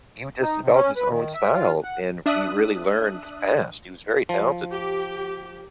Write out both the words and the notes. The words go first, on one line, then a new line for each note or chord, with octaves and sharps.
he would just develop his own style, and he really learned fast. He was very talented.
D#4
C3
C#4
B4
D#3
E5
F4
F#5
D4 E5 D#6 F#6
F3
G4